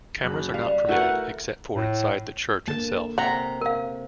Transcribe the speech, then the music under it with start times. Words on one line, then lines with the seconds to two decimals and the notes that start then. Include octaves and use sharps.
Cameras are not permitted except for inside the church itself.
0.23 F#1 F#6
0.54 G3 F5
0.89 A3 E4 F#4 A#4 B4 F#5
1.74 A2
2.68 D3 A#3 A5
3.18 C3 F#5 A#5
3.61 A#4 F5